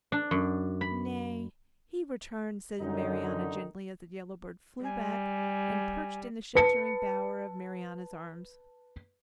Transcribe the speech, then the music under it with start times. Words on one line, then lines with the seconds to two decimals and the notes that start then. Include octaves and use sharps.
"Nay, he returns," said Marianna, gently, as the yellow bird flew back and perched in the sheltering bower of Marianna's arms.
0.12 D4
0.31 F#2
0.81 B5
2.80 F#2 D3 D#3 D#4
4.84 G3 G#5
6.55 B4 A5 C#7